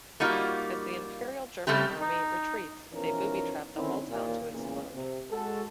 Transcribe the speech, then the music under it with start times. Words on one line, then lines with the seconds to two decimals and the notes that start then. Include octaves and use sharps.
As the Imperial German Army retreats they booby trap the whole town to explode.
0.20 G3 A#3 D#4 F4 F#4
1.67 C#3 G3 A3 C4 G4
2.00 D#4
2.92 B2 E3 F3 C#4 D#4 A#4
3.76 D3 D#3 C4 C#4 D#4 E4
4.09 D#2 A#2
4.51 E2 A#2 C#3 G#3
4.95 C3
5.32 G#3 F#4 A4